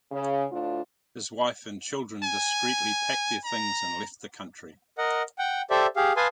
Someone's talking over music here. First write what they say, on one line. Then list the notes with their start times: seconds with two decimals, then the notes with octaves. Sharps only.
His wife and children discreetly packed their things and left the country.
0.11 C#3
0.51 D2 A2 D4 F4
2.23 G#5
3.45 A#5
4.98 A#4 D#5 F#5
5.38 F#5 G5
5.70 G4 A4 C5 D5 E5
5.96 G4 G#4 F5
6.17 B4 F5 G#5 A5 C6 D#6